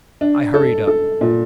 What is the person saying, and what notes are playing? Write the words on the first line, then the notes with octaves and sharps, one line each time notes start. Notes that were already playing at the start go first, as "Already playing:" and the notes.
I hurried up.
D4
A4
A4
A#2